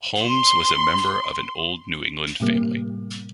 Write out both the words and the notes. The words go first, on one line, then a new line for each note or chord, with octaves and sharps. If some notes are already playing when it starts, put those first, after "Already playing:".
Holmes was a member of an old New England family.
C6
A2 C3 G3 A#3